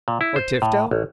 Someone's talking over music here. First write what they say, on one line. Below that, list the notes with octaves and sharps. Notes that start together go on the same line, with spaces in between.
"Or Tifto?"
A#2
E4
C5
A2
A1